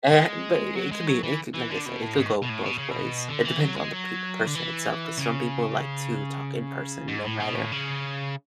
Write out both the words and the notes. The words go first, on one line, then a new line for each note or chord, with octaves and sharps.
and but i it could be it could like I said, it could go both ways, it depends on the peop person itself, 'cause some people like to talk in person than rather
G#3
F#3
G#3
F#3
E3
E3
D3
B2
A2
G#2
B2
A2
B2
C#3
B2
D3
E3
F#3
G#3
F#3
D3
E3
C#3
G#2
A2
B2
A2
C#3